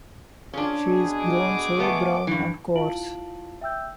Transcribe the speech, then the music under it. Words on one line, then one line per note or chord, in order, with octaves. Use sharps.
She is grown so brown and coarse!
C#4 D4 F4 G#4
B2 G#4
D6
A3 B3
G2 E3
E4 F4 F5 A5 D7 F#7
E5 G5 E6 G6